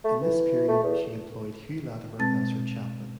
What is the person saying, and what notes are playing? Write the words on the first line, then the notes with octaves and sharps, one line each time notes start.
In this period she employed Hugh Latimer as her chaplain.
A3
E3
A3
E2
B2 G#3 C4 A5 A6